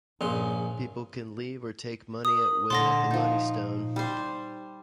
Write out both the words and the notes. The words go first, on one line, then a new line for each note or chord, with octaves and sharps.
People can leave or take money at will at the Money Stone.
A#1 G2 A#2 C#3 C6
A#4 D#6
A#2 D3 A5 C6 A#6
F3 D#4
G3 C5